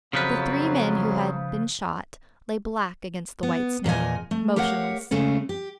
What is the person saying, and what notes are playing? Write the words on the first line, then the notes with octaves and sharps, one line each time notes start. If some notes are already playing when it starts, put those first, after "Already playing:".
The three men who had been shot lay black against the white snow, motionless.
F2 C#3 F3 F#3 B4
B3
E2 A#2 D#5 G#5
A3
G4 A#4 C#5 F5 F#5
C#3 G#3 A3 C#4
G4